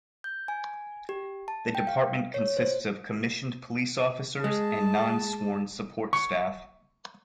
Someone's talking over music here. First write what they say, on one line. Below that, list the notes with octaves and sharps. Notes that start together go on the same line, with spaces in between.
The department consists of commissioned Police Officers and non-sworn support staff.
G6
G#5
G4
A5
G5
F5
C#5
C5
G#3 A5
C#6